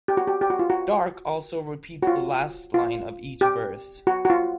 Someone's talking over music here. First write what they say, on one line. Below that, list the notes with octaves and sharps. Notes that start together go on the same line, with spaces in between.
Darke also repeats the last line of each verse.
G4
F#4
G4
G4
F#4
F4
F#4
F#4
F4
F4
G4
F#4
F#4
F4